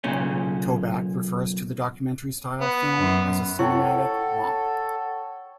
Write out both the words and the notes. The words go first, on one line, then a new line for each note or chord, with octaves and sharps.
Toback refers to the documentary style film as a cinematic romp.
B1 A#2 C#3 C#4
B3
F#2
E4 A4 C#5 F#5 G5